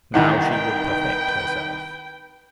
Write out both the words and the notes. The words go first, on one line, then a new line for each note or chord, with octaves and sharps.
Now she would perfect herself.
C2 D#3 E3 D4 F#5
B4 G5